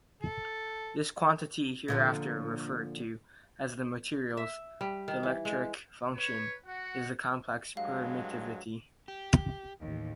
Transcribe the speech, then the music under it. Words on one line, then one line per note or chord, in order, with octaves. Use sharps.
This quantity, hereafter referred to as the materials' "dielectric function," is the complex permittivity.
A4
A#2 D3 F3
E5
G3
D#3
E3
G#3
B4 C#5
F#4 F#5
G2 F#3 G#3 F5
G4
A1 D#2